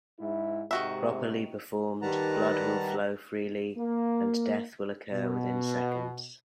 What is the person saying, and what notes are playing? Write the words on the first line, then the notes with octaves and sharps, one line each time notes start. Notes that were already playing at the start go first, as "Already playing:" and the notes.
Properly performed, blood will flow freely and death will occur within seconds.
G#2 E4 E5
G#2 C3 D#3 F#4 E5
D#3 G3 B4 F#5 A5 A#5
A#3
B2